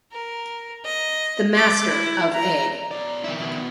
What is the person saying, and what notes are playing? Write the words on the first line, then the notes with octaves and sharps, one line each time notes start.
The master of A.
A#4
D#5
D6
E4
A#5
B2 D5
D#3 E4
B2
B2